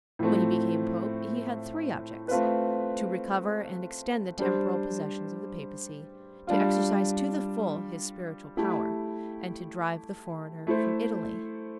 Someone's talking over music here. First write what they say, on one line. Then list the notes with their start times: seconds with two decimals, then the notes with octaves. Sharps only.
When he became pope, he had three objects: to recover and extend the temporal possessions of the papacy, to exercise to the full his spiritual power, and to drive the foreigner from Italy.
0.19 A2 F3 A3 C4
2.28 A3 C4 F4 B4
4.38 G3 D4 G4 C5
6.47 G3 D4 F4
8.57 A3 E4 G4
10.67 A3 E4 A4 C5